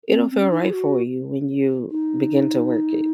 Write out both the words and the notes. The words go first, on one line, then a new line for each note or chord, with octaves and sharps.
it'll feel right for you when you begin to work it,
C4
C4
C#4
D#4
E4
G#4
F#4
D#4